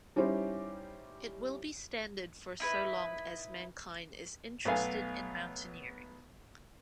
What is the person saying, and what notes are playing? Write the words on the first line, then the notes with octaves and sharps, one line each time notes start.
It will be standard for so long as mankind is interested in mountaineering.
G3 C#4 D#4 E4 G4 C5
D#4 E4 B4
B1 A3 B3 F5 G#5